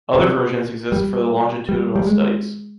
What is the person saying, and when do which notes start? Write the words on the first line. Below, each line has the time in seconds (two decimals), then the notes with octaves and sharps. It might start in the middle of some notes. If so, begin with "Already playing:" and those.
Other versions exist for the longitudinal studies.
0.15 C3
0.92 G3
1.69 G3
1.96 G3
2.07 G#3